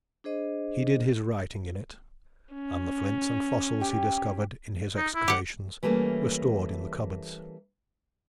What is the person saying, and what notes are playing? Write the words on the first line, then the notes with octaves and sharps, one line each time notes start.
He did his writing in it, and the flints and fossils he discovered in his excavations were stored in the cupboards.
D4 G#4 C5 D#5
C#4
G4
D#4
E4
G4 F#5
E3 G3 A3 A#3 C#4